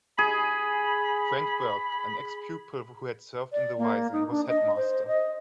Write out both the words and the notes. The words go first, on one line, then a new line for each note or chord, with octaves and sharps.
Frank Burke, an ex-pupil who had served in the Rising, was headmaster.
G#4 B5
D5
A#3
D#4
D4
D#5
C5
D#5